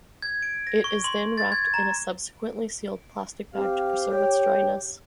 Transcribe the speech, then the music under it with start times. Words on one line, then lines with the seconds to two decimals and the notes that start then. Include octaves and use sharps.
It is then wrapped in a subsequently sealed plastic bag to preserve its dryness.
0.22 G#6
0.43 D7
0.67 A#6
0.84 C#6
1.04 C6
1.38 A6
1.52 G#6
1.74 A#5
3.54 C4 G4 F5
4.08 C#5 G5